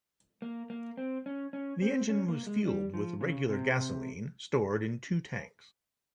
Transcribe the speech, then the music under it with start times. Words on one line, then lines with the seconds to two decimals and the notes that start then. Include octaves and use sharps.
The engine was fueled with regular gasoline stored in two tanks.
0.42 A#3
0.70 A#3
0.97 C4
1.26 C#4
1.53 C#4
1.82 C4
2.10 C#4
2.28 A#3
2.47 G#3
2.66 G3
2.94 F3
3.21 C#3
3.49 C3